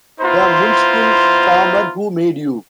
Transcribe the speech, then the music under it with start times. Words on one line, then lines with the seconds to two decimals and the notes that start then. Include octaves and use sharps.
The Munchkin farmer who made you?
0.21 B3 E4 F4 C5 A#5 B5